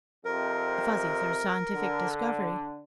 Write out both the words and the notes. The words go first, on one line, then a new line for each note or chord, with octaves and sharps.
The Fuzzies are a scientific discovery.
F2 C3 A#4
D3